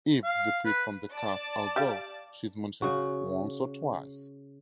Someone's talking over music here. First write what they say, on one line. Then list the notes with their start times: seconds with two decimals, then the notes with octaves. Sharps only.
Eve disappeared from the cast although she is mentioned once or twice.
0.24 F5
0.66 B4
1.12 D5 A5 D6
1.76 G4 F5
2.82 C#3 F#4